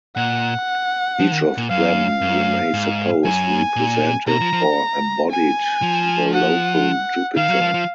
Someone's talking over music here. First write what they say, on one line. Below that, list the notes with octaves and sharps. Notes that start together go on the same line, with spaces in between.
Each of them, we may suppose, represented or embodied the local Jupiter.
A#2 F#5
F3
D#3
A#2
F#2 F5
F#2
G#2
F#2 G#5
A#2
B2 A#5
F3
F3
G#5
F3
F#5
D#3 F5
F#3
F3
F3